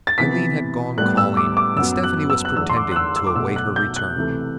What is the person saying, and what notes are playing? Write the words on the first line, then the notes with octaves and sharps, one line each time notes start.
Aileen had gone calling, and Stephanie was pretending to await her return.
A6
C3 E3 B3 B6
A2 G3 B3 F#6
E6
D6
D6
F#2 F#3 B3 E6
F#6
E6
F#6
E2 D3 A3 E6
C6
D6
F#6
E6
E6
D6
B2 F#3 A3 E6
F#6
G6
F#6
C3 E3 A3